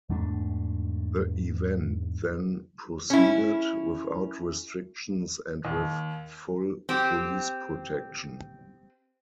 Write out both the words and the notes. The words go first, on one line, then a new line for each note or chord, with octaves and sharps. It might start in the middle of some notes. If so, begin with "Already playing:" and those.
The event then proceeded, without restrictions and with full police protection.
E2 G#2 A3 D4
C#4 E4
D#2
C4 G4